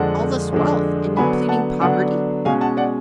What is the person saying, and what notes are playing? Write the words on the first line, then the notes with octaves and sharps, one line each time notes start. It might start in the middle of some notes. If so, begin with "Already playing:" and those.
"All this wealth, and you pleading poverty?"
Already playing: F2 D3 G#3 D4 F#5 A5
F2 D3 G#3 D4
D3 F#3 B3 D4 G#5 B5
F#5 A5
D3 F#3 B3 D4 D5 F#5
B2 G#3 C#4 F5 G#5
F#5 A5
D5 F#5